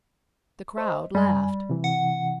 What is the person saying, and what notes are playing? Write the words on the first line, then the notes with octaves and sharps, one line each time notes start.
The crowd laughed.
C5 D#5
F#2 G3 G#5
C3 E3
F#5